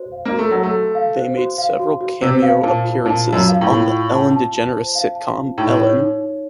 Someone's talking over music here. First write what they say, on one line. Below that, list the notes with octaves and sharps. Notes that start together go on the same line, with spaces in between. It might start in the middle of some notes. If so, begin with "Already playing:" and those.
They made several cameo appearances on the Ellen DeGeneres sitcom "Ellen".
Already playing: F#4 C5
F5
A#3
F#4
A3
F#3 F#4
A3
F#4
F5
C5
F#4
F5
F#4
F#4
C3 C5
F5
A#2 A5
F4
A#2 A5
F4
F#2
F5
A2
F4
F4
A5
A5
A5
C5
F5
A5
F4
A2 D#4
C#5
D#4
D#4